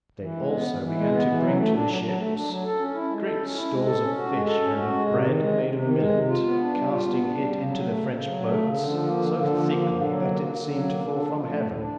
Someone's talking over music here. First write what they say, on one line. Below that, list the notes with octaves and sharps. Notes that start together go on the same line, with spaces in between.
They also began to bring to the ships great stores of fish and of bread made of millet, casting it into the French boats so thickly that it seemed to fall from heaven.
E3
G#3
B3
E3
E3
G#3
B3
E3
F#3
A3
D4
F#3
F#3
A3
D4
F#3
A4
C#4
E4
G#3
A4
C#4
E4
G#3
A4
C#4
F#4
G#3
A4
C#4
F#4
G#3
C3
D#3
G#3
C3
C3
D#3
G#3
C3
F4
B3
D4
G3
F4
B3
D4
G3
C#3
F#3
A3
C#3
C#3
F#3
A3
C#3
D3
F3
A#3
D3
D3
F3
A#3
D3
D3
F#3
A#3
D3
D3
F#3
A#3
D3
D4
F3
A3
A2
D4